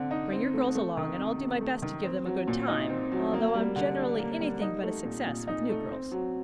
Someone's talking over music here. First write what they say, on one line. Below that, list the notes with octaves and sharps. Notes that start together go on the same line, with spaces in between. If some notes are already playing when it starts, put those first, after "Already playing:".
Bring your girls along and I'll do my best to give them a good time, although I'm generally anything but a success with new girls.
Already playing: D3 C4
D#4
C4
A3
A3
D#3
C3
C3
A3
D#3
C4
F#3
A#2
D#4
C4
F#3
A#3
G3
D3
D4
A#3
G3
D#4
A3
A#2
A#2
D#4
A3
C4
F#3